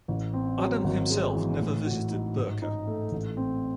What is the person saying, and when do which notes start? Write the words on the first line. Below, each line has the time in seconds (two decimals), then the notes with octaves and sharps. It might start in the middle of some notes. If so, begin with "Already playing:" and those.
Adam himself never visited Birka.
0.08 A1
0.34 C4
0.59 F#3
0.84 G#1
1.10 G#3
1.35 E3
1.60 A2
1.86 F#4
2.11 D#4
2.36 G#2
2.62 D#4
2.87 A3
3.11 A1
3.37 C4